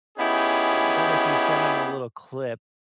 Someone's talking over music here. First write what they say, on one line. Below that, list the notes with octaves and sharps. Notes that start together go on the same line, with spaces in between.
uh, but, if you send them a little clip,
B3 C#4 D#4 E4 G4 G#4